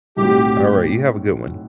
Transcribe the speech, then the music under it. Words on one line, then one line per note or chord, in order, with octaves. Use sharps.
Alright, you have a good one.
B1 A2 F#3 C4 F#4 G4